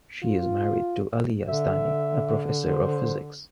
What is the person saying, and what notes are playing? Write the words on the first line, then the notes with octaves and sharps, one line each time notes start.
She is married to Ali Yazdani, a professor of physics.
F4
D3 E5
C5